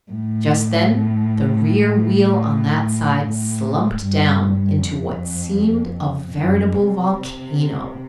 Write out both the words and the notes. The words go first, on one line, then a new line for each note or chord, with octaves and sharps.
Just then the rear wheel on that side slumped down into what seemed a veritable volcano.
A2
A2
G2
F2
F#2
C3